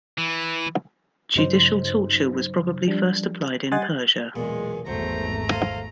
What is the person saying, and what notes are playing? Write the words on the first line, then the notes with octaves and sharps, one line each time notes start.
Judicial torture was probably first applied in Persia.
E3
G2 C#3 F#3 D#4 C5
F3 G3 D4
G3 D#5 F#5 G#5 C6 A6
B1 E2 A#2 G#3 G#4
G#1 E2 F#3 A3 C5 A#5
A4 C5 F5 G#5